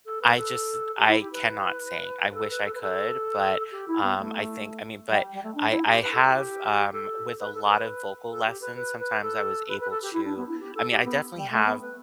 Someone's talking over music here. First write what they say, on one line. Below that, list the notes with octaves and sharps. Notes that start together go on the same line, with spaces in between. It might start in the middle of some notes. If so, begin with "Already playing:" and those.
I just I cannot sing. I wish I could, but, um, I think I mean but I I have, um, with a lot of vocal lessons, sometimes I was able to I mean, I definitely have,
A4
B4
A4
G4
E4
G4
B4
B4
A4
B4
A4
B4
A4
G4
E4
B3
A3
G3
G3
A3
D4
E4
G4
B4
A4
G4
G4
A4
B4
A4
A4
B4
A4
G4
B4
B4
B4
A4
B4
B4
A4
G4
E4
D4
B3
E4
G4
A4
G4
B3
G3
A3
B3
B4